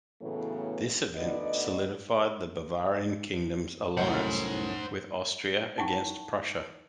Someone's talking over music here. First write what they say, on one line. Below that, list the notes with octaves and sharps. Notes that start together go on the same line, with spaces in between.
This event solidified the Bavarian kingdom's alliance with Austria against Prussia.
A2 C#3 E3 F#3 A3 B3
D2 B3 D#4 D5 D#5
C2 F#2 A2 C5 F#5
D#4 E4 F#5 G5 A5 C#6